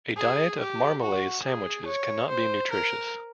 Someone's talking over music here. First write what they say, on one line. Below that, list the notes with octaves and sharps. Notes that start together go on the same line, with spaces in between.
A diet of marmalade sandwiches cannot be nutritious.
G#4
G4
F#4
G#4
C#5
C5
A#4